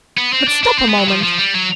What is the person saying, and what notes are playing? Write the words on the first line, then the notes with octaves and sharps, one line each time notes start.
But stop a moment.
B3
C4
D4
D4
C4
B3
F#3
F3
F3
G3
F#3